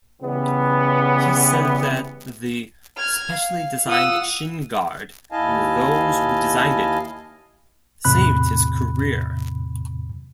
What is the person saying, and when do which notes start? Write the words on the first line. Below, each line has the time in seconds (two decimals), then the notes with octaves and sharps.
He said that the specially-designed shin-guard and those who designed it "saved his career".
0.22 C#3 E3 G3 B3
2.97 F6 G#6
3.34 F5
3.87 F4 F#5 D#6 E6
5.32 D#2 E4 D#5 F5 G#5 A5
8.05 E2 A2 C3 B5 F#6